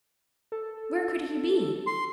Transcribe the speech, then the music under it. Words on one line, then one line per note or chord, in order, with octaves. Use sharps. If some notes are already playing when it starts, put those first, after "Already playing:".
Where could he be?
A4
C6